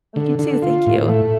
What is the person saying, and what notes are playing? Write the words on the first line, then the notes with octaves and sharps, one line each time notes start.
Oh, you too, thank you.
D3
D3
F4
A2
A3